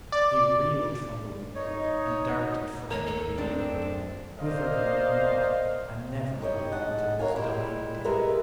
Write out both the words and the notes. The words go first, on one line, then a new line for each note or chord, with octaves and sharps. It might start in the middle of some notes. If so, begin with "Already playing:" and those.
He reeled from the window, and darted frantically away again.... whither, he knew not, and never knew until his dying day.
D5
D#4 C#5
D#2 A3 A#4 C#5
A4
G#3 C4 D4
F#2
A#4 C5 D5 D#5 F5
D#4 E4 G4 B4 C#5 D#5
G#2 D#5 F#5 A5
G#2 A#4 C#5 F5 G#5
G3 G#3 E4 F4
G3 G#3 A#4 B4 E5